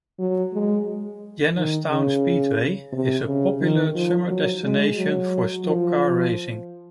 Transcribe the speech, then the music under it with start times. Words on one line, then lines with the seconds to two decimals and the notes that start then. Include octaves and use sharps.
Jennerstown Speedway is a popular summer destination for stock car racing.
0.19 F#3
0.53 G#3
1.56 D#3
1.90 C#3
2.92 C3
3.27 C#3
3.61 D#3
3.95 F3
4.28 F#3
4.63 G#3
4.97 F#3
5.65 F3